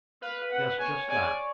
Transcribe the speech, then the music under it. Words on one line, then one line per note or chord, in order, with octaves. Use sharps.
Yes, just that.
B4 F5
F#5
C#5 G#5
D5 G#5